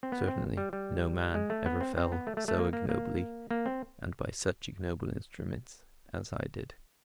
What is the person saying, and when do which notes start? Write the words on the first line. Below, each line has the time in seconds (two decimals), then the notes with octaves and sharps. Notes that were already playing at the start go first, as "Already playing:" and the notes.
Certainly no man ever fell so ignobly, and by such ignoble instruments, as I did.
0.03 C4
0.12 B3
0.28 C4
0.57 G3
0.73 G3
1.35 G#3
1.50 A3
1.66 B3
1.81 C4
1.97 C4
2.12 B3
2.27 A3
2.37 A3
2.48 A3
2.58 A#3
2.73 A#3
2.89 A#3
3.51 A#3
3.66 C4